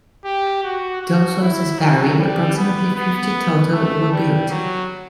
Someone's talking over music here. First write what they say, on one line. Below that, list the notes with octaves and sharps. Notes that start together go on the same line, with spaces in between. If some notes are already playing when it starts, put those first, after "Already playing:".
Though sources vary, approximately fifty total were built.
G4
F#4
F#4
E4
F#3
G3
B3
B3
A3
G3
F#3